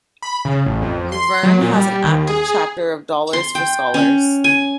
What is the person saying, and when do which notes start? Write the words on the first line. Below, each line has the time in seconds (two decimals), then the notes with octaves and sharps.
Luverne has an active chapter of Dollars for Scholars.
0.22 B5
0.45 C#3
0.66 A1
0.82 F2
1.12 C6
1.43 F#3
1.61 A#2
1.73 G3
2.04 D#2
2.27 G#4
3.33 C6
3.55 G5
3.94 C#4
4.44 G#5